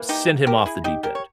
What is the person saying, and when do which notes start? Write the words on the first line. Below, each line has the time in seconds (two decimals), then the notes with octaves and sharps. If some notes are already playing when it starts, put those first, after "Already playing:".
sent him off the deep end.
Already playing: E3 A#3
0.09 D#4 G4
0.47 G4 A#4
0.66 E4 G#4
0.84 D#4 G4
1.03 G4 A#4
1.15 C#5